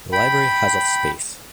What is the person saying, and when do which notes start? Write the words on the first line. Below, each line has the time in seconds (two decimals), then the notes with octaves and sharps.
The library has of space.
0.12 G5 B5